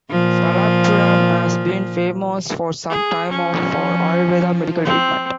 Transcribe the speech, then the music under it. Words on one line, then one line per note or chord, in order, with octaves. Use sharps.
Palappuram has been famous for some time for Ayurveda Medical treatment.
A#2 F3
G#4
F3 C#4
C4